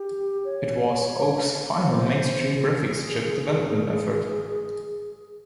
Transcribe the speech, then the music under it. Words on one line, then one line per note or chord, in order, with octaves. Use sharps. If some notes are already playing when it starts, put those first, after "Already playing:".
It was Oak's final mainstream graphics chip development effort.
Already playing: G4
C#5
C5
G#4